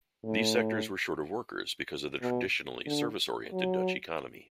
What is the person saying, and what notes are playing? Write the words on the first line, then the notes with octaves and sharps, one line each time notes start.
These sectors were short of workers because of the traditionally service-oriented Dutch economy.
A2
B2
D3
F#3